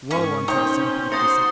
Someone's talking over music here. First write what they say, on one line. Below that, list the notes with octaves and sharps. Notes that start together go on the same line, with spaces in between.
Woe unto this unfaithful city!
G#2 D#3 C#4 C#6
B2 C#4 D#4 C5 C#5 G5
F#4 C5 A#5 C6 D#6 A6 C#7